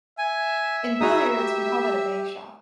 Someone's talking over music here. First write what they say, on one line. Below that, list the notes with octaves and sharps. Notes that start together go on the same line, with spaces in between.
In billiards, we call that a bank shot.
E5 G#5
D#4 F#4 G#4 B4 D#6
G4